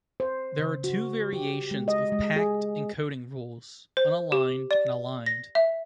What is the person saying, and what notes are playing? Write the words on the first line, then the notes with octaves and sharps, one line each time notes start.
There are two variations of packed encoding rules: unaligned and aligned.
C5
C#3
F#4
G4
G#3
D#5
G#3
G#4
C5
G4
D5
A#6
E5